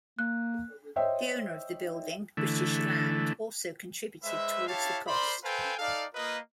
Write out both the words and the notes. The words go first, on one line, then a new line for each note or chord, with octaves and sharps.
The owner of the building, British Land, also contributed towards the cost.
A#3 F#6
C5 C#5 D#5 E5 G5
D3 E3 A3
G#3 B4 C5 E5
E4 G4 C#5 F5 A5
A#4 C5 D5 B5 C6
A4 B4 C5 F5 G5 G#5
D#4 A4 D5 F5
A#3 F4 A#4 B4 D#5